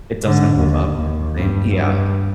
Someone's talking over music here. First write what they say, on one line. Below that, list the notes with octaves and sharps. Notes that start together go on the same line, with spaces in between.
It doesn't live up to the same Yeah,
G#2 D3
D#2
D#2
G2
G2